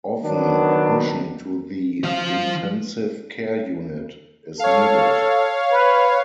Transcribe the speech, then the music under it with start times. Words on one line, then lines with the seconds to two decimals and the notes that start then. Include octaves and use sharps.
Often, admission to the intensive care unit is needed.
0.21 D#3 F#3 B3 D4
2.04 F3 F5
4.59 A4 C#5 F5
5.71 B4